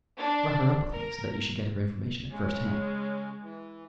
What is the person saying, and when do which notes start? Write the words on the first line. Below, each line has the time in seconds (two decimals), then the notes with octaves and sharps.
I brought her up with me, so that you should get her information at first hand.
0.18 D4
0.91 A#4
2.31 C#3 G#3 C#4
3.42 E3